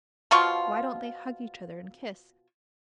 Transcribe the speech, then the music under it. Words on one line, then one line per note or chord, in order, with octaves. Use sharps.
Why don't they hug each other and kiss?
B2 F3 F4 C#6